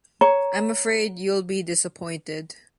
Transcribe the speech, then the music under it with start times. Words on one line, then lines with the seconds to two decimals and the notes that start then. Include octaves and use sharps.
I'm afraid you'll be disappointed.
0.21 C#5 A#5